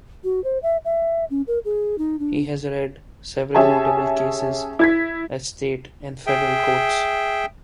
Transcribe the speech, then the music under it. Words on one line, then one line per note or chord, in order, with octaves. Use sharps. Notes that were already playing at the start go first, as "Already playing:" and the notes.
He had led several notable cases at state and federal courts.
F#4
C5
E5
E5
C#4
A#4
G#4
D#4
D4
C#4 G4 G#4 E5 G#5 A5
E4 G#6 B6
G#4 E5 G5